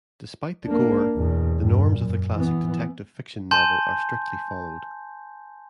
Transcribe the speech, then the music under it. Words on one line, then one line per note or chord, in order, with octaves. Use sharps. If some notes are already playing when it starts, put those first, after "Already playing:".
Despite the gore, the norms of the classic detective fiction novel are strictly followed.
A#3 D4
E2 B2
G2 A#2
F#2
E3 B3
G#5 A5 C6 G6